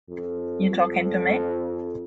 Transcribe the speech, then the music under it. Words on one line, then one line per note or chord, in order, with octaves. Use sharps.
You talking to me?
F2
F2